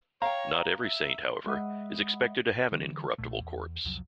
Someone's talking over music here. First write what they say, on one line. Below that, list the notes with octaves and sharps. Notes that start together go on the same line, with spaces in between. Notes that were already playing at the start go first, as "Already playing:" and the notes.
Not every saint, however, is expected to have an incorruptible corpse.
C#5 F5 G5 A#5
E5
G#3 D#5 E5 F#5 B5 D#6
D3 E3 G3
B1 A#2 A3
E2
C2 F2 F3 F#3